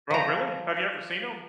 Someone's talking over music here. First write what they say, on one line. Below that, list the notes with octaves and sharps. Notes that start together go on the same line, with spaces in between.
Oh, really? Have you ever seen 'em?
F3 A#5